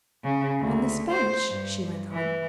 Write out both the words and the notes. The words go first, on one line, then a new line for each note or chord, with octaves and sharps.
"On this bench?" she went on.
C#3
D2
C5
G2
E3